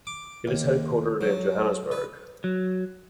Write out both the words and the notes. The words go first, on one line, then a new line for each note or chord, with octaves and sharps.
It is headquartered in Johannesburg.
D6
D#2
F#3
B4
F#3